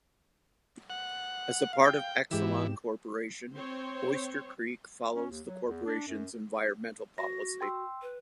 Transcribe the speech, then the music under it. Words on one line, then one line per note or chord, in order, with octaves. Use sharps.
As a part of Exelon Corporation, Oyster Creek follows the corporation's environmental policy.
F#5
F5
G5
G#2 E3 G4 E7
C4 C5 C#5
C#4
D#2
F#3
E2
D4
F#2
F#4 A#6
G5 C6 E6
B4